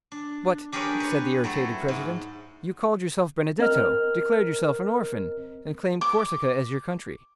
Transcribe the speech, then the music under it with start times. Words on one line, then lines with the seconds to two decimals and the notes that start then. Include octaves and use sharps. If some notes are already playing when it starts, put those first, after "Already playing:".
"But," said the irritated president, "you called yourself Benedetto, declared yourself an orphan, and claimed Corsica as your country."
0.12 D4
0.72 D4 G4 G#4 A#4 B4 C#5
1.00 B4 C#5
1.44 F#3 A3 E4 A4
1.88 G#2
3.59 C4 A#4 D#5 F6
6.01 D6